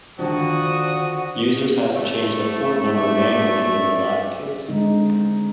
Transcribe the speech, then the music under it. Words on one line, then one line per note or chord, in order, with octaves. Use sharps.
Users have to change the port number manually in the latter case.
D3 D#3 F3 D4 F#4 D#6
A3
D5 E5
D3 G#3 C4 D#4